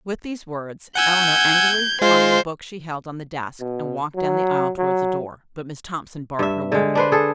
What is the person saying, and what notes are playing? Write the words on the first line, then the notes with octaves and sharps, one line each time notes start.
With these words, Eleanor angrily flung the book she held on the desk and walked down the aisle toward the door, but Miss Thompson barred her way.
F#5 G#5 E6 G6 G#6
G#3 F4 C5
B2
F#3
F#3
G2 E5
D3 G#3
D4 B4 C5
G#4 A4